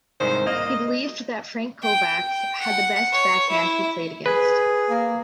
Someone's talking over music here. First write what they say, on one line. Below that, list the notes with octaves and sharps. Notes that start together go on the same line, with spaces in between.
He believed that Frank Kovacs had the best backhand he played against.
C2 G#2 D#3 C5
A#3 D#5
G5
G5
F#5
C#5
E4
G#4 B4
A#3